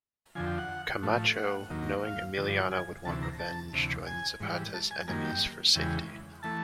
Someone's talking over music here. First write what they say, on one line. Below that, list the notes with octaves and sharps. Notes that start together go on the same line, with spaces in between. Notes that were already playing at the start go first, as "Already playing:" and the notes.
Camacho, knowing Emiliano would want revenge, joined Zapata's enemies for safety.
F2 D3 F3 G#5
G5
F#5
A2 F3 A3
F#5
D#2 D#3 F#3 A#3
F5
G2 D3 F3
G#5
D2 C3 E3 A5
A#5
A5
D2 C3 E3
G#5
G#2 E3 G3
A5
G#5
F#2 D#3 G3 A#3 G#5
G5
E2 C#3 E3 G#3 G5
E3 A3 A5